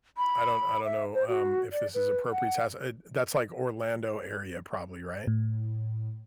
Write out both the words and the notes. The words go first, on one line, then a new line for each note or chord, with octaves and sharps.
I don't I don't know, um, if this is appropriate. Has eh, that's like Orlando area probably, right?
B5
E5
C5
F#4
D5
B4
F#5
A2